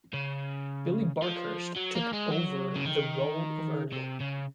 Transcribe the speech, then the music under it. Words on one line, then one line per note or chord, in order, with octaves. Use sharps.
Billy Barkhurst took over the role of Ernie.
C#3
F3
F#3
A#3
G#3
F#3
C#3
D#3
C3
C#3